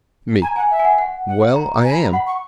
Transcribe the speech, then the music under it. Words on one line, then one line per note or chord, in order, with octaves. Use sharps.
ME: Well, I am.
G#5 A#5
F#5 G#5
E5
G#5
F#5
F#5
F#5
A#5
G#5
B5
A#5
F#5 B5
C#6